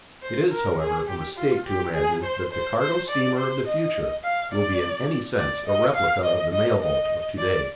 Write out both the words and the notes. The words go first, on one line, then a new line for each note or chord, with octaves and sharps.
It is, however, a mistake to imagine that the cargo steamer of the future will be in any sense a replica of the mail-boat of to-day.
C5
A#4
G#4
G4
F4
G4
G#4
C5
C5
C5
D5
C5
D#5
F5
D5
D5
D#5
F5
D#5
D#5
D#5
D5